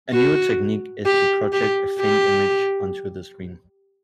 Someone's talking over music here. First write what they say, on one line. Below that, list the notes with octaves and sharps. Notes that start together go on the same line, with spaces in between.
A newer technique is to project a faint image onto the screen.
F#4
G4
G4
G4